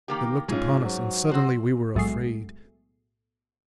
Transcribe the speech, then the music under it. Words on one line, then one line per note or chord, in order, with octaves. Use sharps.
But they looked upon us, and suddenly we were afraid.
D#3 A#3 G4
G#2 C#4 F4 G#4
F#3 C5
C4 F#4 C5 C6
B1 A2 F#3 G#3 C7